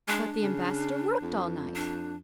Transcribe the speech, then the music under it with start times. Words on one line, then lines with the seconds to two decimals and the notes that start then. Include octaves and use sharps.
"But the ambassador worked all night?"
0.08 G#3 D4
0.43 C#3
1.22 F2
1.75 D4